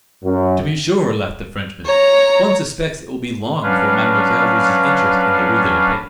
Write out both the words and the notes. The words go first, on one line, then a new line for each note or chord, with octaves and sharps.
"To be sure," laughed the Frenchman; "one suspects it will be long before mademoiselle loses interest in the rue de la Paix."
F#2
C#5 A#5
F#3 C#4 D4 B4 F5